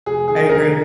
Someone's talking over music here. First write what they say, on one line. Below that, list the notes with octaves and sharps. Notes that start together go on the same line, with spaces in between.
I agree.
F1 G#4
D#3 G#4
F1 A#4